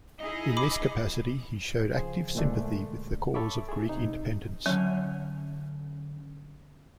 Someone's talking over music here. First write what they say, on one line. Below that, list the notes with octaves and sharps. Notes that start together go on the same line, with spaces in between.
In this capacity, he showed active sympathy with the cause of Greek independence.
D#4 E4 G#4 D#5
B5 D6
C#3 F3 G#4 C5
A#2 D3 G#3 A3 D4
A4 C#5 E5 B5 C#6 D6
G#4 E5
C3 D#4
D3 F#3 C#4